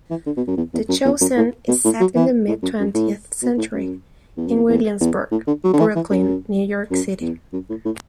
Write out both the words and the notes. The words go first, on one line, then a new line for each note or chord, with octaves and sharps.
"The Chosen" is set in the mid-twentieth Century, in Williamsburg, Brooklyn, New York City.
E3
D3
B2
F#2
E2
E2
F#2
E2
F#2
A2
B2
A2
F#3
E3
A2
F#2
F#2
A2
B2
A2
F#2
E2
F#2
E2
E2
E2
A2
D3
F#3
D3
E3
E3
F#2
F#2
E2
F#2
A2
A2